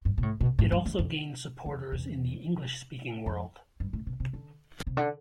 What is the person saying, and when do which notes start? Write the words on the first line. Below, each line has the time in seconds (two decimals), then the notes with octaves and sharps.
It also gained supporters in the English-speaking world.
0.05 G2
0.18 B2
0.23 A2
0.41 B2
0.59 A2
0.72 G2
0.86 E2
0.99 F2
1.66 E2
1.92 E2
3.26 F2
3.80 G2
3.93 A2
4.07 B2
4.20 C3
4.33 D3
4.87 C3
4.97 D3